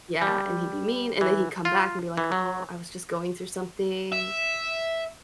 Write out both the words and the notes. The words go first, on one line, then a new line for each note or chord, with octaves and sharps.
yeah. And he'd be mean and then he'd come back and be like, "Oh, I was just going through something."
G3
E3
F4
E3
F#3
E5